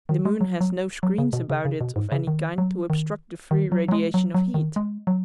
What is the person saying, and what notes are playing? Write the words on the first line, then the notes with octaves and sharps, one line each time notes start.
The moon has no screens about it of any kind to obstruct the free radiation of heat.
D#3
G#3
F#3
F#3
F#3
C#3
B2
C#3
C#3
B2
G#2
C#3
D#3
F#3
D#3
D#3
F#3
F#3
G#3
F#3
F#3
D#3
G#3
F#3